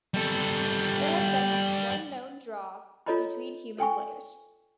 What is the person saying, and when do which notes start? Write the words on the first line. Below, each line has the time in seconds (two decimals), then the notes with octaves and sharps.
There has been one known draw between human players.
0.14 G3 A4
3.06 F4 A4 C#5 D#5 A#5 B5
3.78 A4 G5 G#5 C#6